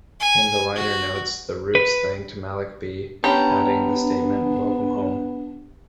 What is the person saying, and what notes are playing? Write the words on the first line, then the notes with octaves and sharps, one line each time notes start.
In the liner notes, The Roots thanked Malik B, adding the statement: "Welcome Home".
G#5
F#4
B4
B3 C#4 D4 G4 A5 A#5